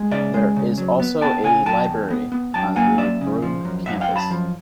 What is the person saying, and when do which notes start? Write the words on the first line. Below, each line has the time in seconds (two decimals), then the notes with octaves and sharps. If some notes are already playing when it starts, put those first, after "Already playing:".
There is also a library on the Broome Campus.
Already playing: G#3
0.11 C#3 D5 E5
0.34 G#3
0.57 C#3
0.78 F#3
1.00 B3
1.21 B3 G5 A5
1.44 C#3 F#5 G#5
1.66 F#3 G5 A5
1.89 E2
2.11 B3
2.32 B3
2.54 F#2 G5 A5
2.76 A#3 F#5 G#5
2.98 F#2 D5 E5
3.21 C#3
3.42 F3
3.65 F#2
3.86 F#2 E5 F#5
4.01 F5 G5
4.08 F#2
4.16 A5 B5
4.31 F3